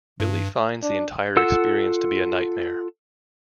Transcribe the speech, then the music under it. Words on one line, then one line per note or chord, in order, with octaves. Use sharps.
Billy finds the entire experience to be a nightmare.
G2
D4
F4 A4 F#5 E6